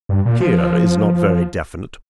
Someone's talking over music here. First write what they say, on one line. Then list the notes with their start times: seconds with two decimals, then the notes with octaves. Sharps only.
'Here' is not very definite.
0.09 G2
0.25 A#2
0.41 F3